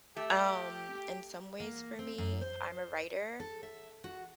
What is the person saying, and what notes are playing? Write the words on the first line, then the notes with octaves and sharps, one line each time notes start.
um, in some ways for me. I'm a writer,
A3 G4
A#3
C4
F#2
C5
A4
E5
F#4